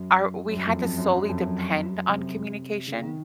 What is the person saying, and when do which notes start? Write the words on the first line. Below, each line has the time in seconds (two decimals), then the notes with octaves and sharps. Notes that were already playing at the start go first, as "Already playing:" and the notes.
our we had to solely depend on communication
Already playing: F#2
0.51 F#2
0.66 F2
0.82 F2
0.98 F#2
1.13 F#2
1.29 F2
1.45 F#2
2.08 C3
2.87 C#3
3.02 D#3